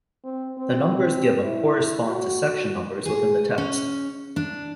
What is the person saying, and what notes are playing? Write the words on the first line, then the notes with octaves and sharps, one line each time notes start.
The numbers given correspond to section numbers within the text.
C4
C4
E4
F#4
G#4
C#4
D4